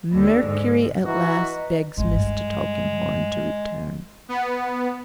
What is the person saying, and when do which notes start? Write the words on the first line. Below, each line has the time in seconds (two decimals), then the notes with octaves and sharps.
Mercury at last begs Mr. Tulkinghorn to return.
0.12 D#2 D3
0.47 G#2
1.05 E3 F#4 B4 D#5 A#5
1.97 G#1 E2 G#3
2.15 G2 G3
4.29 B3